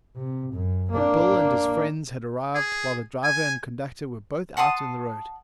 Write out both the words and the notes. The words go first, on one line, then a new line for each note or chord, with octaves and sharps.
But Bill and his friends had arrived while the driver and conductor were both out in the road.
C3
F#2
A#3 D4
G#4
G#5
F#5 A5 C6 D#6